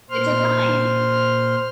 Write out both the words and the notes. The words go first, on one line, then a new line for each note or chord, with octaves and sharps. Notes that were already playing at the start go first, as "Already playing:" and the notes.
It's a grind.
A#2 C5 C6 F6